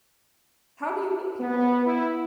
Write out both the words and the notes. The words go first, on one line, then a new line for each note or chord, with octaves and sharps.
How do you meet people?
B3
E4